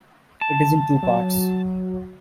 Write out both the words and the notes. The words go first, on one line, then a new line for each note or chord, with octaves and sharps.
It is in two parts.
A5
F#3